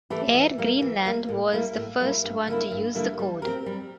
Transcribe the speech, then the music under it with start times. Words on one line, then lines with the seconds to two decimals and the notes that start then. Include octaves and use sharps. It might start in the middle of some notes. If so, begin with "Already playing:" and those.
Air Greenland was the first one to use the code.
0.10 E3 A3 E4 G4
0.34 E3
0.58 G3 A#3
0.82 E3
1.05 G3 A#3
1.29 A2
1.53 G3 A#3 E4
1.76 A2
2.01 G3 A#3 E4
2.24 G2
2.48 D3 G3 A#3 E4
2.71 G2
2.95 D3 G3 A#3 E4
3.19 G3
3.42 C4 G4 A#4
3.66 G3